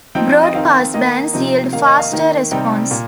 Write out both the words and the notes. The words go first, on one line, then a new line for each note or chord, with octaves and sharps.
Broad passbands yield faster response.
F3 C4 D#4 G5
D#5
D#3 C4 D#4 F5
D#3 A#3 D#4 D#5
C3 F3 C4 D#4 D#5
D#3 A#3 D#4 F5
D#5
F5
D#3 A#3 D#4
C3 G3 C4 D#4 G5
A#2